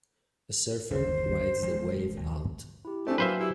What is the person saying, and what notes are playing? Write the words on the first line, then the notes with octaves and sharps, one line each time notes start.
A surfer rides the wave out.
G1 D#2 E3 C5
E1 F3 G#3
D#2
E4 G4
A3 C4 D4 G5 G#5
F#3 A#3 B4 C5 E5
E4 G4